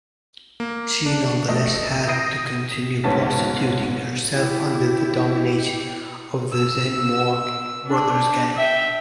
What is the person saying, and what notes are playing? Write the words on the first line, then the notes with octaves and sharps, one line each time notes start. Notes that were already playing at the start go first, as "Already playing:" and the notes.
She nonetheless had to continue prostituting herself under the domination of the Zenmour Brothers gang.
A#3
D4
A#1 A3 D#5
D#6 G6 A#6 C7 D7 D#7
D2 G#2 B2 C#4 A5 B6
E4 G4
E6
D4
E5 G5